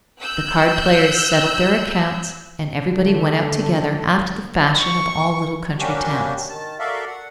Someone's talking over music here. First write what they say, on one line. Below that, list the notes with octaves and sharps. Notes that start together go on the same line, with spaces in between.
The card players settled their accounts, and everybody went out together, after the fashion of all little country towns.
E6 F#6 G6
D3 A3
C#6
G3 A#3 C#4 D4 F#4 G4
D#3 A5
F#4 A4 A#4 D5 E5 F5
F#5